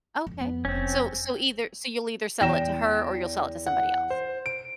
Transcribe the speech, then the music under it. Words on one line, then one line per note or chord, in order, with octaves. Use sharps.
Okay. So so either so you'll either sell it to her or you'll sell it to somebody else.
F2
B3
F1 C4 C#4
E2 G5 A#6 E7
F#5
C5
D7